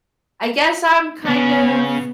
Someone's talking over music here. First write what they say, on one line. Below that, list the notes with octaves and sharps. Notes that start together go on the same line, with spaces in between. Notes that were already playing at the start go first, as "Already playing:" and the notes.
I guess I'm kind of
C#3 B3 C#4